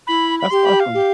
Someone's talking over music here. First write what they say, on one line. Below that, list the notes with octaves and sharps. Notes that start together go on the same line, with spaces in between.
that's awesome.
E4 B5
B5
G4 C6
B5
F5
G4